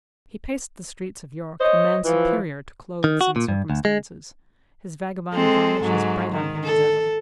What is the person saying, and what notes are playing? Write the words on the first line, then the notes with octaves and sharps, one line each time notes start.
He paced the streets of York, a man superior to clothes and circumstances--his vagabond varnish as bright on him as ever.
C5 C#5 D#5
E3 F3
D#3
F#4
A#2
G2
D2
G#3
G#3 C4 A4
G#2 F#3
D#3
A4